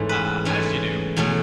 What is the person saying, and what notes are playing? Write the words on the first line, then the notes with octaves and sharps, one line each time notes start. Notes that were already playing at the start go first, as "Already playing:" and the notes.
uh, as you do,
Already playing: G#2 E3 A3 C#4
B4
G#2 E3 A3 C#4
E2 B2 A3 C#4